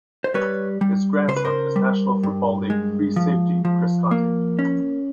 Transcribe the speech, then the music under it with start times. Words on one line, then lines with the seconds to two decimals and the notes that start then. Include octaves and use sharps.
His grandson is National Football League free safety Chris Conte.
0.24 C5
0.34 G3 B4 C#5
0.81 G3
1.28 C#3 C5
1.37 B4
1.45 A#4 C5
1.76 G3
2.23 G2
2.70 G#3
3.16 F3
3.65 F3
4.11 A#3
4.59 C#4